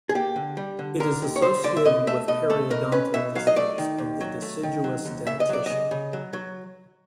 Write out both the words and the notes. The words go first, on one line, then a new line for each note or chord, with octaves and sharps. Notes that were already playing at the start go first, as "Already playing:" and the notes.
It is associated with periodontal disease of the deciduous dentition.
G#4
A#3 G4
D3
G3
D3
D3 A#4
D#2
C#5
D3 C5
D3 D5
E5
B2 D#5
A3 E5
B2 D#5
A3 A4
B2 A#4
C#4 B4
B2 E5
F#3 F5
D#5
A3 D5
D#3
D#2
F#3
A3
D#3
F#3
D#2
C#3 E5
D#5
F#3 D5
C#3 D#5
C#3
F#3
F#3